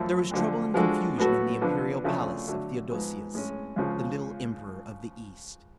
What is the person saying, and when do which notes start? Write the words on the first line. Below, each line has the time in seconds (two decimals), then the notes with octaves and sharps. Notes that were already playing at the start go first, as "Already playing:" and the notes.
There was trouble and confusion in the imperial palace of Theodosius the Little, Emperor of the East.
Already playing: F#2 F3 A3
0.31 D2 D3 F3
0.74 F3 G#3 D4 F#4 A4
1.18 A2 F#3 B3 F#4 A4
1.61 D3 F3 B3 D4
2.04 D2 C#3 F3 A3
2.48 D3 F#3 A3
2.90 G#2 F3 B3
3.34 A2 G#3 C#4
3.76 C#2 C#3 F3